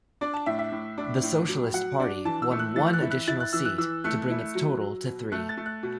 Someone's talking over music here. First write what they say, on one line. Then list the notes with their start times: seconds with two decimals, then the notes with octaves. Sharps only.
The Socialist Party won one additional seat to bring its total to three.
0.21 D4 D5
0.34 A5
0.46 A2 E5
0.59 E5
0.72 A2
0.98 D4
1.23 A2
1.49 F#3
1.74 F#3 F#5
2.00 D4
2.25 E3 A5
2.42 E6
2.51 A3
2.59 F#6
2.76 E3 A6
2.93 F#6
3.02 E4
3.11 F#6
3.28 E4 A6
3.40 F#6
3.53 E3 E6
3.65 F#6
3.78 E3 E6
4.04 A3 F#6
4.30 E4
4.55 F#3
4.81 F#3
5.06 B2
5.32 A3 F#6
5.49 A6
5.57 A3
5.66 F#6
5.83 B2